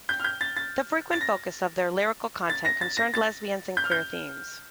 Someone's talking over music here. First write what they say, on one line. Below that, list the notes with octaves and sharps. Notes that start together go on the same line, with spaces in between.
The frequent focus of their lyrical content concerned lesbian and queer themes.
G6
F6
G6
A6
A6
A6
A#6
A6
A#6
A6
A#6
A6
G6
F6
G6